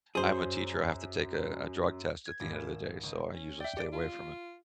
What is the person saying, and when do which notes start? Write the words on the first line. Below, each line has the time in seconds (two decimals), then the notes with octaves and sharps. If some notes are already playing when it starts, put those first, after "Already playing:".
I'm a teacher. I have to take a a drug test at the end of the day, so I usually stay away from it.
0.15 F#2 G#4 C5
2.26 G#6
2.40 G#1
2.60 E7
3.03 C#2
3.33 C#4
3.60 D5 E5 G5
3.77 G4 D5 D7
3.93 F4